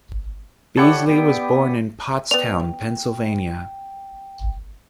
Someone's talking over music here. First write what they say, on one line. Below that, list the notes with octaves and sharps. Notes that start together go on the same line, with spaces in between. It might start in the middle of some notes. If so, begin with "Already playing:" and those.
Beasley was born in Pottstown, Pennsylvania.
E4 G4 A4 C#5 D5 F#5
B3 G5
B3 D5 G5 F7